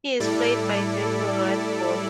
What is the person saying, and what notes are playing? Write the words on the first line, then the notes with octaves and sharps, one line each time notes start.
He is played by Basil Rathbone.
A2 G3 E4 A4 D5